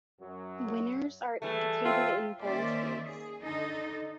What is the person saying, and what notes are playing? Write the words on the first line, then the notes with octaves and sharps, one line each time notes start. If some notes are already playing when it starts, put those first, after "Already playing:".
Winners are indicated in boldface.
F#2 F#3
E3 G3 A3 G#4 A4
C4 F4 E5
D#3 A#3 C#4 C5 D5 E5
G#4
D3 D#4 A4